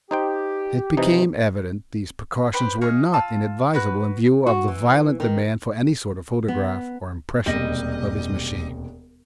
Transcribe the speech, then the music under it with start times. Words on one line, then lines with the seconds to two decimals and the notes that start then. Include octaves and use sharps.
It became evident these precautions were not inadvisable in view of the violent demand for any sort of photograph or impressions of his machine.
0.11 D#4 G4 C5 G5
0.97 C3 E3 D#4
2.54 G4 B4 C5
2.81 D#4 G#4 F5 C#6
3.14 F4 A5 E6
3.74 F#4 B4 F#6
4.46 F#4
4.68 E3
5.20 D#3
6.48 B3
7.46 E1 D#2 C3 G3 D#5